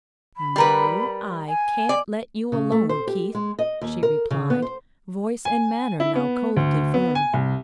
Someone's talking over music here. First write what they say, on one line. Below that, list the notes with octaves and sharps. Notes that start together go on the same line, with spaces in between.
"No, I can't let you alone, Keith," she replied, voice and manner now coldly firm.
B5
G3 A#4 B4
G#5
D5
C#3
A3
C5
G4
G#3
D#5
D#2
A#4
C#3
B3
C5
G#5
E4
B3
D2
B3
G#5
C2